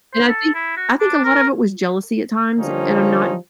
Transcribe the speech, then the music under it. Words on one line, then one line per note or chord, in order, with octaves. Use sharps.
and I think I think a lot of it was jealousy at times, and I'm not
C5
A4
E4
F#4
D4
A#4
D3 F3 G3 A#3 C#4 D#4